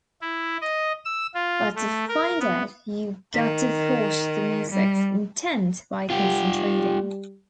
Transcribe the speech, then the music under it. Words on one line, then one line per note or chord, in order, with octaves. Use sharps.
But to find it, you've got to thwart the music's intent by concentrating.
E4
D#5
E6
F4
A3
A#4
B3
D#3
G3
G3 F4 G4